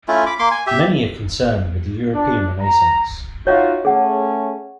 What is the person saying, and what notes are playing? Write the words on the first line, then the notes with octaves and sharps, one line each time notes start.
Many are concerned with the European Renaissance.
A3 C#4 E4 F4
B5 D6
A#3 C6 D6
G#5
G4 E5
D4
A#5
D#4 F4 F#4 C#5 D#5 E5
A3 C#4 G#4 F#5